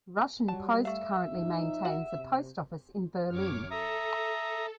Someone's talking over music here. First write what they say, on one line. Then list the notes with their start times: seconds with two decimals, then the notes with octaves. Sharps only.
Russian Post currently maintains a post office in Berlin.
0.48 F#3 G3 A5
0.85 A3 E5 F5
1.31 F3 D#4
1.85 F#4
2.15 C3
3.30 F#2 C#5 D6 F6
3.71 A4 E5 A#5 D#6